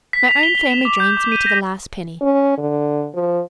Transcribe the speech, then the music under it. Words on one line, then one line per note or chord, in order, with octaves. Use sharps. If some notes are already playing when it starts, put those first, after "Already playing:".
My own family drains me to the last penny.
B6
F7
G7
G7
E7
D6
G6
D6
D#7
A#6
C#4
D3
F3